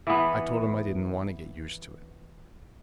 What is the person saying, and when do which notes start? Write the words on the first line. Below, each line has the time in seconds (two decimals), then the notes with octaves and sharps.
I told him I didn't want to get used to it.
0.07 E3 B3